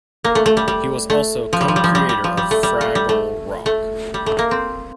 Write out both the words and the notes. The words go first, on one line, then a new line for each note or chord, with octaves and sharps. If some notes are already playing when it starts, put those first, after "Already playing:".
He was also co-creator of "Fraggle Rock".
A#3
A3
A3
G3
G3
A3
F3
G3
F3
G3
F3
G3
G3
F3
G3
A3
G3
A3
G3
A3
A3
G3
A3
A#3
C4